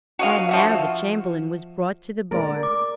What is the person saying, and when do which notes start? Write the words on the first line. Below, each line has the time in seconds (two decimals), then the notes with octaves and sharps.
And now the Chamberlain was brought to the bar.
0.19 F#4 D#5 F5
0.49 F3 F#4 E5
2.31 A#4 D5
2.63 D6